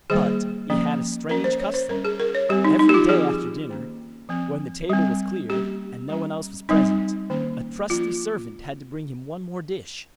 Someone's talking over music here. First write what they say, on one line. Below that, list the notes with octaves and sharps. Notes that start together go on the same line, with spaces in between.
But he had a strange custom; every day after dinner, when the table was cleared, and no one else was present, a trusty servant had to bring him one more dish.
D#3 G3 A#3 G#4
F3 A#3 C#4
F3 A#3 C#4 A#4
C5
C#5
C5
G3 C#4 A#4
G#4
A#4
C#5
G3 C4 G4
D#4
D#4
G4
F4
F3 C4 G#4
D#3 A#3 C#4
F3 C4
G3 C4
G3 A#3 C#4 G4
G3 C#4
G3 C4 D#4
D#3 A#3 C#4
F3 A#3 C#4 F4